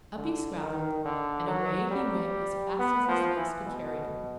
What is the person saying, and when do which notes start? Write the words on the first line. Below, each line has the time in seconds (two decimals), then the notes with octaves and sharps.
Up he scrambled, and away he went as fast as his legs could carry him.
0.17 D3
0.61 D#3
1.05 D3
1.48 F#3
1.91 G3
2.79 B3
3.08 F3
3.37 E3
3.66 B2